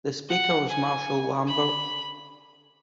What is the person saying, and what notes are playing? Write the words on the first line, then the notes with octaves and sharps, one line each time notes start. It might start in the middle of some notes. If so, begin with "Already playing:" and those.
The Speaker was Marcel Lambert.
F#5
G#5
B5